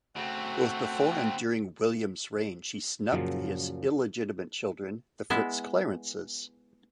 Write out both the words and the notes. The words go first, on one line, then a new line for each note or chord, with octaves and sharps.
Both before and during William's reign, she snubbed his illegitimate children, the FitzClarences.
C#3 A3 C4 F#4 F#5
F#2 A#2 C#3 F3 F#3
G#3 B3 E4